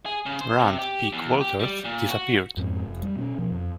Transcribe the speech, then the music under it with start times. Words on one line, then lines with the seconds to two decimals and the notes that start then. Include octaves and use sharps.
Rand "Pig" Walters disappeared.
0.06 G#4
0.26 C#3
0.41 C5
0.60 C3
0.79 G4
1.13 E2
1.41 G4
1.60 G3
1.84 A#2
2.10 F#4
2.57 F2 G#2 G3 C4
2.86 F1
3.03 G3
3.16 B2 B3 C#4
3.38 B2 F3
3.51 F2